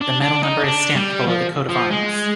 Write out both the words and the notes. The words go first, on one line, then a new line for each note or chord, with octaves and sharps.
The medal number is stamped below the Coat of Arms.
D4
D4
D#4
D4
G3
F3
F3
G#3